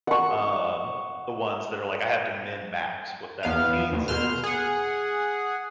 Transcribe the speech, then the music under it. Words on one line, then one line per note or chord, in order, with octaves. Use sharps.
um, the ones that are like, "I have to mend max," what that means is,
F#5 C#6
E2 B3 F5
D#2
B2 C6 F6
G#4 F#5